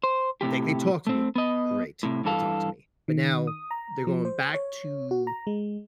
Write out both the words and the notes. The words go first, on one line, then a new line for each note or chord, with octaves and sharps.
like they talk to me. Great, they talk to me. But now, they're going back to
C5
A2 C3 F3 G4
A3 C4
B3 D#5
A2 C3
G2 E3 A4 F5
D#3
D#6
A#5
F3
C5
C#5
F#4
A#5
G#3